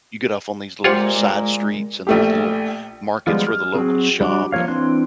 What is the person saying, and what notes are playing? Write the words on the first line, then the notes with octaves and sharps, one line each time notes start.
you get off on these little side streets and these little markets where the locals shop, and
A#2 G#3 F4 G4 C5 C#5 F#5
A#1 A3 G4
F3 G3 G#3 B3 F4
F6
F#3 C4 G#4
G3 D4 F#4 D6
F3 A#3 C#5 F5
E3 C4 D4 C6 F#6